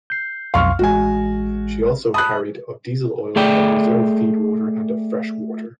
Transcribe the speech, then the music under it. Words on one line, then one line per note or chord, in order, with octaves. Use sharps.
She also carried of diesel oil, of reserve feed water and of freshwater.
G6 C7
B1 F2 F5 C6 C#6 F6
A1 G#3 F#4 G#5
A5 B5 D#6 F#6
A3 G#4 D5 E5 G5